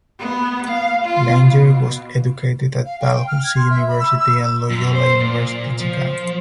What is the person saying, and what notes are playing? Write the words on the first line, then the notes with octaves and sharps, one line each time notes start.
Langer was educated at Dalhousie University and Loyola University Chicago.
B3
F5
F4
B2
F5
G5
G5
F6
G#6
C6
E5
B5
E6
E6
F#2
C5
A#2
F3